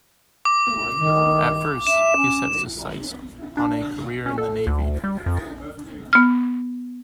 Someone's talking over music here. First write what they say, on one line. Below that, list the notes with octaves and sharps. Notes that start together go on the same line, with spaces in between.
At first, he set his sights on a career in the Navy.
D6
D#3
E5 E7
C#4
D4
C#4
A4
D2
G3
F2
B3 F6